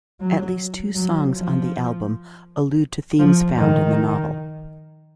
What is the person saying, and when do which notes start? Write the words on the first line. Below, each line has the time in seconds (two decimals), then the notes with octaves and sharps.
At least two songs on the album allude to themes found in the novel.
0.20 F#3
0.95 F#3
1.33 F3
3.19 F3
3.57 D#3